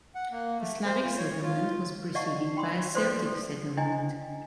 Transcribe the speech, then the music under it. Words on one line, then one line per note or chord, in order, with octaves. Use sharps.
The Slavic settlement was preceded by a Celtic settlement.
F#5
A#3
A3
C5
F4
C#5
F4
D5 D#5 F5 F#5 A5 C#6
G5 B5 C6 D#6
F#4 A4 B4 C5 D5
A4
D4 E4 D#5 G5 G#5